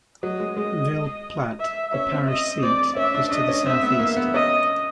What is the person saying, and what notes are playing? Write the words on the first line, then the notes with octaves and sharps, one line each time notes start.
Ville Platte, the parish seat, is to the southeast.
F#3 D#5
G#3
G#3 D#5
E5
C#4 E5
C4
D#5
C4 D5
C#4 E5
D4
D4 D#5
C#4
C4 E5
B3
A#3
B3
C#4 D#5